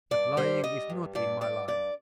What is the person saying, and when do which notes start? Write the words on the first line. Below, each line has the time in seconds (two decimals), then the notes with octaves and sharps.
But lying is not in my line.
0.11 G2 D5
0.37 G3 C5
0.63 G3 D#5
0.90 G2
1.15 G2 D5
1.41 G2 D5
1.68 G2 D5